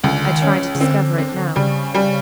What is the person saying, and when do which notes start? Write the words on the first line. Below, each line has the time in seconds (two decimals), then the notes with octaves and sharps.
I tried to discover it now.
0.04 C#2 D3
0.29 D#3
0.42 C#4
0.75 C#3
0.80 D3 C4
1.18 C4
1.56 C#3 G3
1.95 G3